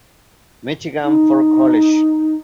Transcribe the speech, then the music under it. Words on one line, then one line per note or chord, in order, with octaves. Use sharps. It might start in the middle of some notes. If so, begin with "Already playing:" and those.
Michigan for college.
D#4